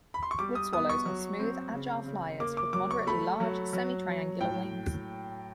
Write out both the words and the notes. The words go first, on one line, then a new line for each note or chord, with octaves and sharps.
Woodswallows are smooth, agile flyers with moderately large, semi-triangular wings.
B5
C6
C#6
G3 D6
D#6
B3 D#6
C#6
F#3
C4
C#3
C#3
A#3 D6
D6
F#3 D6
C#6
A3 B5
F#3
F#3
F#3
A2 G5